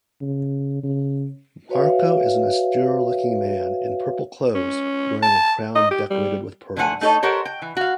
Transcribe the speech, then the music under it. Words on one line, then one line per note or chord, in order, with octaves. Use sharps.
Marko is an austere-looking man in purple clothes, wearing a crown decorated with pearls.
C#3
C#3
F#4 B4 C#5 E5 F5
C#4
A5
D#5
G4
G3
D3 F3 A3 B3 F#5 G#5
A3 D#4 A4 C#5 D#5
G4 A4 A#4 C5 C#5 F#5
G5
E3
F#4 F5